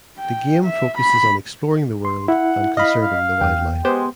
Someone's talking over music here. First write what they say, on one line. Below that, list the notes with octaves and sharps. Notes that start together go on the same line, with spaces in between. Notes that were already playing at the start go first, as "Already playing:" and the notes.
The game focuses on exploring the world and conserving the wildlife.
G5
E5
B5
C6
E4 F#5
D#5 F5 B5
F5
E2 G5
G#3 B3 G4 C5